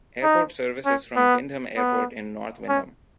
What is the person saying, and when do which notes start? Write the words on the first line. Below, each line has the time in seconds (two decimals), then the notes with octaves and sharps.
Airport service is from Windham Airport in North Windham.
0.23 D#4
0.86 C#4
1.16 B3
1.77 B3
2.69 C#4